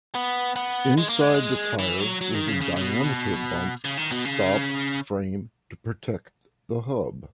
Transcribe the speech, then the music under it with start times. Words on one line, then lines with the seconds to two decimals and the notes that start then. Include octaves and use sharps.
Inside the tire was a diameter bump stop frame to protect the hub.
0.15 B3
0.56 B3
0.97 G#3
1.09 A#3
1.21 G#3
1.79 E3
2.00 F#3
2.21 F#3
2.35 D#3
2.48 C#3
2.61 C#3
2.76 C#3
2.81 B2
3.85 C#3
3.97 D#3
4.12 B2
4.25 C#3